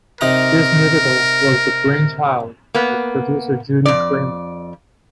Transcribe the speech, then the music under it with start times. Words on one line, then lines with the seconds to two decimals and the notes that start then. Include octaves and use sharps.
This musical was the brainchild of producer Judy Craymer.
0.21 C3 D#4 A#4 A#5
2.75 A#3 B3
3.85 F2 D5